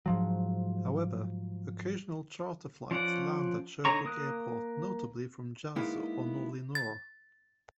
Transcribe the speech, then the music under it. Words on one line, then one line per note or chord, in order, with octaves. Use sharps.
However, occasional charter flights land at Sherbrooke airport, notably from Jazz or Nolinor.
G#2 F3 F#3
F3 C#4 D5 F#5
D3 D#4 C#5 A#5 C#6
A#3 D#6 F#6
G#3 A#3 B3 D#4 E4
A6